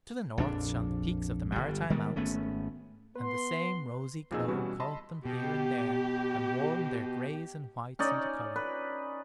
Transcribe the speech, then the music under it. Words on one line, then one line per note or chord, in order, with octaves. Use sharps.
To the north shone the peaks of the maritime Alps, and the same rosy glow caught them here and there, and warmed their grays and whites into color.
A#1 F2 D4
G1 G3
D#3 G3 G#3 B3
G#1 A3 B3 C#4
B3 B4 C6
F2 A#2 D#4 G#4 D#5 E6
B2 E3 G3 C#4 E4 F#4
D#5 A5 B5 C6
B2 G4
C#4 D#4 D5
B4